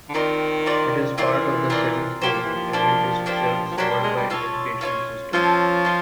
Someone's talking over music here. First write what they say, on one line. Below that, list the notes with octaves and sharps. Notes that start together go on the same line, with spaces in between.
It is part of the Seventh-day Adventist Church's worldwide educational system.
D3
D#3 C4 F4 A#4 D5
C4 F4 A#4 D5
E3 C4 F4 A#4 D5
C4 F4 A#4 D5
F#3 A#3 D4 G4 C5
F3
E3
F3
A#3 D4 G4 C5
A#3 D4 G4 C5
F3
F#3 A#3 D4 G4 C5
G3
G#3
G3
C#4 F4 A4 C#5
C#4 F4 A4 C#5
F3 C#4 F4 A4 C#5
C#4 F4